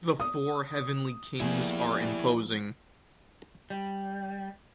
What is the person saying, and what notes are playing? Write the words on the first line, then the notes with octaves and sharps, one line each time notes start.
The four heavenly kings are imposing.
D#6
F3 G3 A#3 B3 E4 G#4
G3